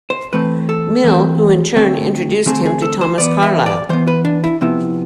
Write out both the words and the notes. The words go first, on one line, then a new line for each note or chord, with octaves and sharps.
Mill, who in turn introduced him to Thomas Carlyle.
C5
E3 A3 C4 B4
A4
E3 A3 C4
D3 A3 C4
D3 A3 C4 G#4
G#4
A4
C5
E3 B3 D5
E5
D5
E3 B3 C5
B4
D4
E4
C3 F3 B3 E4